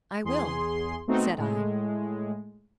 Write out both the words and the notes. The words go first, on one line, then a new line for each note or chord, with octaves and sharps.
"I will," said I.
E2 G#4 C6
B2 A3 C4 D#4 F#4
A2 G#3